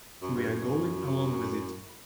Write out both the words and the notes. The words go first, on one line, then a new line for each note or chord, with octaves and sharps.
We are going along with it.
F#2
G2
F#2